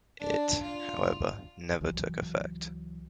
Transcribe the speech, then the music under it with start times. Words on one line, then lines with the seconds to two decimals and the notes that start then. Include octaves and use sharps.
It, however, never took effect.
0.20 D4
0.62 F4
1.81 C#2 E3 F#3